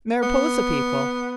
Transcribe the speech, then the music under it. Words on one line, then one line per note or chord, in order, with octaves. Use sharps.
Mariposa people!
B3